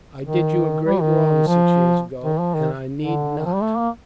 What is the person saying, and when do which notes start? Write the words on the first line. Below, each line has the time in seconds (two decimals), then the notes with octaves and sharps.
"I did you a great wrong six years ago, and I need not."
0.24 D#3
0.85 G3
1.01 D#3
1.47 F3
2.24 D#3
2.40 F3
2.55 D#3
3.01 D3
3.37 D#3
3.46 F3
3.54 G3
3.62 A3
3.78 A#3